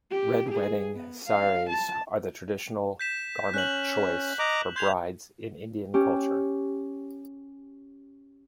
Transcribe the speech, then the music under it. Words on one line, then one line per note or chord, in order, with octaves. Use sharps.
Red wedding saris are the traditional garment choice for brides in Indian culture.
G4
G#4
B3
F5
A5
G6 B6 E7
C#4 F#6 F#7
D#5 A#5 D6
C6 G6 G#6 F7
C#4 G4